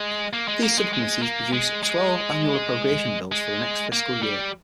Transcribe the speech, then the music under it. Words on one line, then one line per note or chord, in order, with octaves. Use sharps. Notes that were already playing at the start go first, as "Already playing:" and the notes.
These subcommittees produce twelve annual appropriation bills for the next fiscal year.
Already playing: G#3
A#3
G#3
A#3
G#3
G#3
A#3
G#3
G#3
G#3
A#3
G3